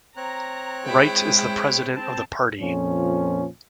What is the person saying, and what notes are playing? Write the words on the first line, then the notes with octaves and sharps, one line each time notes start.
Wright is the president of the party.
C4 C#5 A#5 F#6
G#3 E4 G#4 G5
C4 A5
F2 A#2 F3 C#4